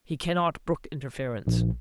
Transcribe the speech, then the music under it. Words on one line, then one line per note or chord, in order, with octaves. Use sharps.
He cannot brook interference.
A#1